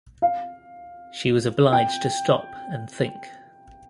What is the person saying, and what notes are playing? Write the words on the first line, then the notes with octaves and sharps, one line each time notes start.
She was obliged to stop and think.
F5
G5